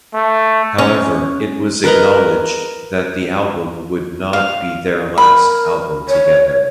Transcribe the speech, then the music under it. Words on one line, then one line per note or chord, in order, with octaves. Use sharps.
However, it was acknowledged that the album would not be their last album together.
A3
C#4
A#4 B4 D#5 A#5
F5
A#4 B5
C#5